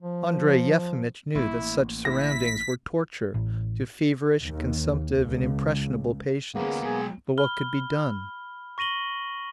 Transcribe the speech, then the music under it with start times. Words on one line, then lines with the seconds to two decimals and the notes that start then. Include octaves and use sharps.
Andrey Yefimitch knew that such surroundings were torture to feverish, consumptive, and impressionable patients; but what could be done?
0.01 F3
1.35 A1 A#3 E4
2.05 E4 A#6 B6
3.34 A1
4.42 D#2
5.16 C#2
6.55 D2 A#3 B3 C#4 G#4
6.83 B2 F#3 G#3 G#4
7.38 B5 F6 G7
8.78 C#6 A#6 D#7 F#7 G7